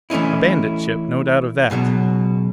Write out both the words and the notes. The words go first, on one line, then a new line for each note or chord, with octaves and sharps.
A bandit ship, no doubt of that.
E3 A3 C#4 D#4 E4
C#2 B2 E3 F#3